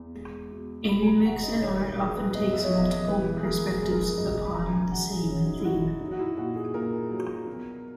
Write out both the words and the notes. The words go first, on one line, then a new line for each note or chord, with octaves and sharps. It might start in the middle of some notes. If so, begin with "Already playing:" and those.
A remix in art often takes multiple perspectives upon the same theme.
Already playing: E2
G#3
B2
B2 B5
G#5
A#5
G#3 F#5
D#5
D#3 C#5
A#4
F#3 G#4
B4
E2 D#5
E5
C#5
E2 D#5
D#5
E3 B4
G#4
G#3 A#4
F#2 G#4
A#4
G#4
F#2 D#5
B5
C#3 A#5
G#5
F#3 F#5
G#4
F#2 C#4
D#4
E4
F#2 F#4
E4
F#3 D#4
F#4
E4
A#2 F#4
G#4
A#2 A#4
F#3
B2